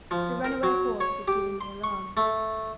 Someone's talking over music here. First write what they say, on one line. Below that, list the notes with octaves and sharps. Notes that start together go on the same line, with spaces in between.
The runaway horse had given the alarm.
F3
A#4
F#3
C#5
G4
C6
C#6
A3